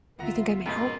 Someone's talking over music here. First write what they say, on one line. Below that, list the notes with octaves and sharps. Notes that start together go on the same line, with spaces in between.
You think I may hope?
D2 B3 F4 E5 F#5 A#5
F2 G#2 B2 C#4 F4 A#4